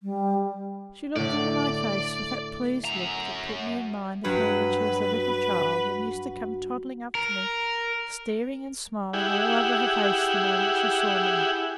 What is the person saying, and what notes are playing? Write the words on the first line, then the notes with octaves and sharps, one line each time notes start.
She looked into my face with that pleased look that put me in mind of her when she was a little child and used to come toddling up to me, staring and smiling all over her face the moment she saw me.
G3
A2 D3 D5
F#2 A#5
G2 F#3 F#4 B4
A#4
E4 G4 G#4 F#5